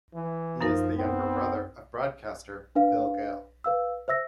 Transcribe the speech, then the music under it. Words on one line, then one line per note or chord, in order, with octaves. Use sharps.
He is the younger brother of broadcaster Phil Gayle.
E3
F#2 F3 D#4 A#4
B3 C4
D4 B4 F5
B4 F5 E6
C5 E5 E6 A#6